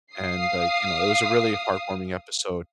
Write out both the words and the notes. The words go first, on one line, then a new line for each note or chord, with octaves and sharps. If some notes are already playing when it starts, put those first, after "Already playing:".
and like, you know, it was a really heartwarming episode,
F5 D#6 C7